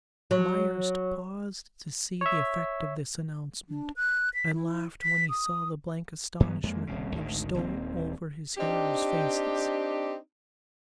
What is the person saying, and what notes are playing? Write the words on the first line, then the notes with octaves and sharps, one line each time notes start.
Myerst paused to see the effect of this announcement, and laughed when he saw the blank astonishment which stole over his hearers' faces.
F#3
C#5 E5
D4
F#6
B6
E4
B6
D#6
G2 F#3 B3
F2 G#3 A#3
D#1 C2 C#3
G#1 D2 D#3
D#1 D#2 C4
C4 D4 D#4 G4